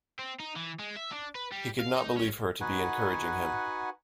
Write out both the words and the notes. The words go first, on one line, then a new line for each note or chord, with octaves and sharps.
He could not believe her to be encouraging him.
C4
D#4
E3
G#3
E5
D4
B4
G3
F5
D#4
C#4
D#4 F#4 B4 F#5 G#5